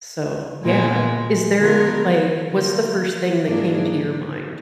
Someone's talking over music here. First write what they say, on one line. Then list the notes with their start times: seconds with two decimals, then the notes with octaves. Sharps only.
so, yeah. Is there, like what's the first thing that came to your mind?
0.64 A#2 G#3 B3
1.57 D3 F3 B3 F4 A#4
2.51 D3 F#3 A#3 F4 A#4
3.45 G#2 F#3 A#3 D4 G#4